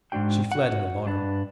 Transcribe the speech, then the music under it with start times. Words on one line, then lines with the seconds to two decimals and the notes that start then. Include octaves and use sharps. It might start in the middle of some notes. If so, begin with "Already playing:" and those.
She fled in alarm.
0.12 G#2 G#3 D4 F#4 G5
0.52 F#4 F#5
1.06 G2 D4 B4